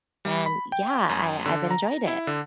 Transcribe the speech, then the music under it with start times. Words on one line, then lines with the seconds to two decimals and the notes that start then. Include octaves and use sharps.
And yeah, I I've enjoyed it.
0.25 G3
0.46 B5
0.72 G5
1.09 F#2
1.46 D3
1.71 A#5
2.08 E4
2.27 D3